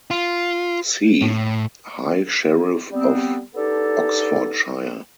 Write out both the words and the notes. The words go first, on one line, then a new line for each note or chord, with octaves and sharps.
See High Sheriff of Oxfordshire.
F4
A2
G3 B3 C4
B3 D4 D#4 G4 A4